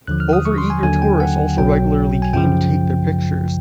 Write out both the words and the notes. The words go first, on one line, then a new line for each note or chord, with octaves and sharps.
Overeager tourists also regularly came to take their pictures.
D#2 D3 F3 F#6
F6
D#6
C#6
C6
G#5
D#2 D3 F#3 G#5
G5
F#5
B1 B2 F#3 G5
G#5
F#2 C#3 F3 G5